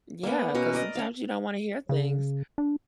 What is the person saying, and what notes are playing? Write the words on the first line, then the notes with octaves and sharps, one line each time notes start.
Yeah, 'cause sometimes you don't wanna hear things.
A#3 B3
B2 C#4 A#4
A#4 D5 D#5
C#4 F5
C#3
D4